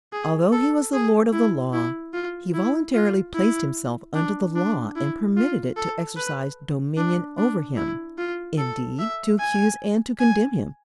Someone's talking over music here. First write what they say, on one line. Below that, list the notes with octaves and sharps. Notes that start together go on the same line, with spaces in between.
Although He was the Lord of the Law, He voluntarily placed Himself under the Law and permitted it to exercise dominion over Him, indeed to accuse and to condemn Him.
G#4
A4
G#4
E4
E4
F4
E4
F4
E4
D4
D4
E4
F4
A4
B4
D4
D4
E4
F4
A4
E5
G#5
G#5